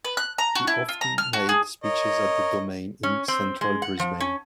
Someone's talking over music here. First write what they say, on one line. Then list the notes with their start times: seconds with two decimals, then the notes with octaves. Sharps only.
He often made speeches at the Domain in central Brisbane.
0.05 B4
0.17 F#6
0.38 A#5
0.55 F#4
0.67 E4
0.89 F4
1.01 A#5
1.18 F6
1.33 F#4
1.49 G#4
1.84 A#4 C#5 D#5
3.03 C#4
3.28 C4
3.61 G#3
3.82 F#5
3.99 F3
4.20 C#4